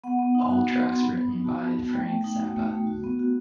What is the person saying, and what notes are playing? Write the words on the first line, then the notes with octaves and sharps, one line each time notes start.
All tracks written by Frank Zappa.
B3 F#5
B3
D#4
F#4 B5
B3 B5
B3 C6
B3 B5
B3
D#4
F#4 A5
B3
B3
A3 G5
A3
D#4
F#4
A3
A3
F#4
B3
F#4